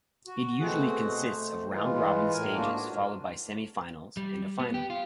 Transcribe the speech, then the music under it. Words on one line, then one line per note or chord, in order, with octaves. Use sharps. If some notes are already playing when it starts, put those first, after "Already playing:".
It usually consists of round-robin stages, followed by semi-finals and a final.
F#4
B2 A3 C4 F#4 G#4 F#5
A3 C5
E3 G#3 F4
A2 A#4 G#5
G#2 A#3 D4 F4 F#4
G3
B3
G4
F4